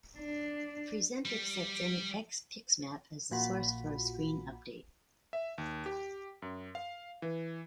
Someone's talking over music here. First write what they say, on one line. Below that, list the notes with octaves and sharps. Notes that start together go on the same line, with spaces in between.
Present accepts any X pixmap as the source for a screen update.
D4
G3
A#1 A#2 F4 F#4 B5
E5
D#2
G4
F#2
F5
E3